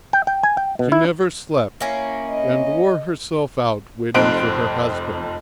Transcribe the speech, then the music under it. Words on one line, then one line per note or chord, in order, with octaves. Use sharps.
She never slept, and wore herself out waiting for her husband.
G5
G5
G#5
G5
B2
E4
A#3 C#4 E4
D#5
F1 F2 D#4 C5 F#6 D7